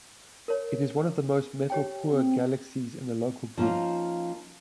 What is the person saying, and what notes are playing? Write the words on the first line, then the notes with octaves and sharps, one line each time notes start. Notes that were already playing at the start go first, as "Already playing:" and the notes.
It is one of the most metal-poor galaxies in the Local group.
A#4 C#5
G4 C#5 G5
C4
F3 A#3 C#4 D#4 F4